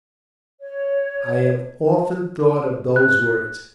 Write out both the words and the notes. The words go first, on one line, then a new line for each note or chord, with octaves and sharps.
I have often thought of those words.
C#5
F#6